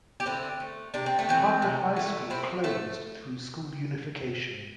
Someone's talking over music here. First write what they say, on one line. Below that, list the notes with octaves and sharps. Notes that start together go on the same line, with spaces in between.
Parker High School closed through school unification.
G4
D3 C4 E4
A3
C3 D4
C4
A3
E3 A3 C4
C3
E3 A3
C3 C4 E4
A3 E4 A4